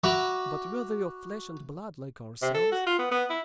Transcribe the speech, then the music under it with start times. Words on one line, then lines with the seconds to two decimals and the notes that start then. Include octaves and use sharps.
But were they of flesh and blood, like ourselves?
0.04 F#4 E5 A#5 B5 C#6 D6
2.42 C3
2.55 A4
2.72 F#4
2.86 F4
2.99 B3
3.11 B3
3.30 E4